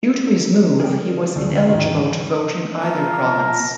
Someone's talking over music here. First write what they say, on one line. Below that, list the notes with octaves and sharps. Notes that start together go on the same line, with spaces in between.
Due to his move he was ineligible to vote in either province.
G#4 A#4 C#5 D5 G5
D2 C#3
E2 G#2 D#3
F4 A#4 A5